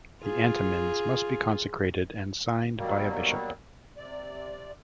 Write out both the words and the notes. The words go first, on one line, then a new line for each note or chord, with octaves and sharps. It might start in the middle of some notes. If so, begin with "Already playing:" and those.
The antimins must be consecrated and signed by a bishop.
F4 G#4
B2 D#3 F#3 G3 A#3
C3 D5